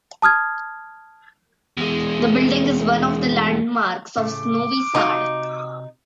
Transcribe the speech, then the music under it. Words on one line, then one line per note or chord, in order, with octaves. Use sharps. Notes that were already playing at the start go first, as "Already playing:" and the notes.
The building is one of the landmarks of Novi Sad.
A5 D#6 F6 G#6
E2 G#3
A2 C#3 A3 D6
C3 D#4 F#4 F5